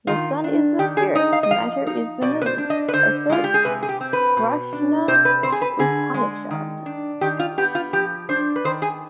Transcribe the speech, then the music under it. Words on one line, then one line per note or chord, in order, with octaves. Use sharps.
The sun is the spirit, matter is the moon, asserts Prashna Upanishad.
D#3 F4
D4
D#3 G4
G#4
D#4 D#5
F5
D#5
F3 F5
D#4
B2 D5
B4
C5
D4
D#5
B4
D3 C5
G#3 F4
G4
G#4
C3 B4
G#4
G4
C4
B4
B2
D4
C3 C5
B4
C4 C5
G#4
B4
D3 G#4
G#3
D#3
D4
D#3 G4
F4
B3 G4
F4
F3 G4
D4 C5
B4
D#3 C5
G#4